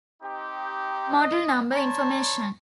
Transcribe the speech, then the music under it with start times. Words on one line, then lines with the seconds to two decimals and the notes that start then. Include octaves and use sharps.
Model number information.
0.23 C4 D#4 G4
1.21 D#5
1.73 D4 C#5 A5 A#5 C6 C#6